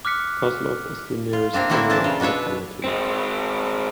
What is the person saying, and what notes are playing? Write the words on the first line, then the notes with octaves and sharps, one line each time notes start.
Kozlov is the nearest rural locality.
D6 F6 F#6 B6 C#7
F4
C3 A#3 C4 D4 F5
D3 A3 A#3 C4 D4 E4
A#2 E3 D4 A5
C#3 F4
B2 D4 B4 C#5 E5
G#3 C4